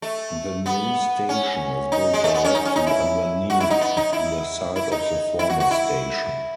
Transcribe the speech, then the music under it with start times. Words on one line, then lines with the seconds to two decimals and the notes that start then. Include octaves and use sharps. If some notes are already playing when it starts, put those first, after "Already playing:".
The new station is built directly underneath the site of the former station.
0.02 A3
0.66 B3
1.29 C#4
1.92 D#4
2.13 G#3
2.24 A3
2.34 B3
2.44 C#4
2.55 D#4
2.65 C#4
2.76 D#4
2.87 E4
3.50 F#4
3.60 E4
3.70 D#4
3.81 B3
3.97 D#4
4.13 E4
4.76 E4
4.92 D#4
5.39 E4
5.50 F#4
5.60 F#4
5.71 E4